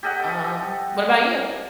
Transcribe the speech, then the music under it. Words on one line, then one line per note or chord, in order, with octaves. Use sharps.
Um, what about you?
G4 A4 D#5 F#5